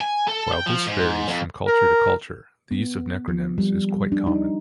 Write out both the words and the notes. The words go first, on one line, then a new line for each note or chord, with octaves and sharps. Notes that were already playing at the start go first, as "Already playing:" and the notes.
While this varies from culture to culture, the use of necronyms is quite common.
G#5
A4
G5
F3
G#2
F2
A#4
B3
F3
G3
D4
D#4